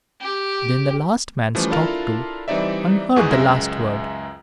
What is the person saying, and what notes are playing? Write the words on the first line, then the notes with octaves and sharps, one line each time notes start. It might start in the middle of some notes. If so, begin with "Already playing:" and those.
Then the last man stopped too, and heard the last word.
G4
E3 F3 G3 A3 C#4
D4 E4 F4 A4 A#4 F5
E3 G3 C4 D#4 D5 E5
E2 G#2 E3 G#4 C#6 F#6
C#2 F#2 G#3 E5 G#6 A#6